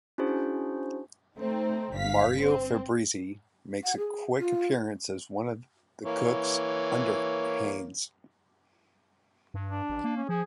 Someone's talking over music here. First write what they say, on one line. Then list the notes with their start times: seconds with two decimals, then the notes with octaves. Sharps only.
Mario Fabrizi makes a quick appearance as one of the cooks under Haines.
0.18 C#4 D4 E4 F#4 G#4 C5
1.37 A3 C4 D#4
1.95 G1 F5 B6
2.40 C4
3.84 F#5
3.97 G#4
4.38 F4
6.04 E3 A#3 C#5
9.54 G2
9.67 D4
9.90 A1
10.04 A#3
10.17 C#4
10.29 F3 G#4